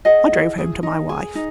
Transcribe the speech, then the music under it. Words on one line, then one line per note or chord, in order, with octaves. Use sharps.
I drove home to my wife.
G#4 D#5 F#5
E4
G#4
D#4
G#4
D#4